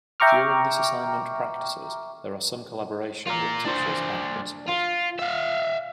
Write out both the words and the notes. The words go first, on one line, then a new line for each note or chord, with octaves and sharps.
During this assignment practices, there are some collaboration with teachers and principals.
E5 G5 A#5 C#6 D6 F6
F4 A#4
D4 C5
F4
E5 F5